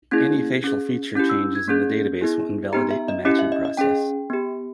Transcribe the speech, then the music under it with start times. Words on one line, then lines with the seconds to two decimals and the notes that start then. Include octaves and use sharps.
Any facial feature changes in the database will invalidate the matching process.
0.11 A#3 C#4 E4 G#4 G#6
0.64 C#4 G#4
1.16 C#4 E4 G4 G6
1.29 E6
1.55 G#6
1.68 A#3 C#4 G#4 G6
2.21 B3 E4 G#4
2.73 B3 D#4 G4 A#5
2.91 E5
3.08 D#5
3.25 C#4 E4 G4 D#5
3.39 E5
3.52 D#5
3.65 D#5
3.77 C#4 G#4 G5
4.30 B3 G4